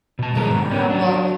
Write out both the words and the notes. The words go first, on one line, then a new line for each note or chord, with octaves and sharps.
Yeah. Well,
B2 A5
B2 D#3 G#3 B3 D#4 A#4
G#2 D3
A#3 B3 C#4
F#3 D4